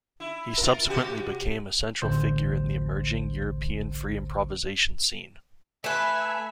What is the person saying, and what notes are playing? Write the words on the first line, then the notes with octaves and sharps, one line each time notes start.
He subsequently became a central figure in the emerging European free improvisation scene.
E4
F4 A#4
C3 F#4 G4
A1 D2 C5
A3 B4 E5 G#5